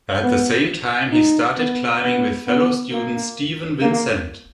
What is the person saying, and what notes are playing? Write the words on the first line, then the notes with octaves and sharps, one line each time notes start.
At the same time, he started climbing with fellow student Steven Vincent.
B3
D#4
B3
B3
B3
A#3
A#3